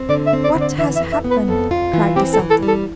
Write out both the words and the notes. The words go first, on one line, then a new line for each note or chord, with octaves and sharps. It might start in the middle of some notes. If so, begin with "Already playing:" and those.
What has happened?' cried the Sultan.
Already playing: C4
D3 D5
E5
C4
D5
D3
D5
E3 E5
E5
F2
E5
B3
B4
F2 A4
F4
E3
C4 G4
A4
E3
A4
G3
A4